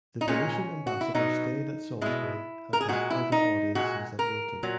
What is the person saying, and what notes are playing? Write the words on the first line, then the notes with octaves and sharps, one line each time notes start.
The Venetian ambassadors stayed at Salisbury and had further audiences at Wilton.
D#4
A#2 G#3 C#4
F#4
E4
B2 F#3 D#4
B2 G#3 E4
A#4
G#4
A#2 G#3 F#4
E4
D#4
A#2 G#3 F#4
A#4
A#2 F#3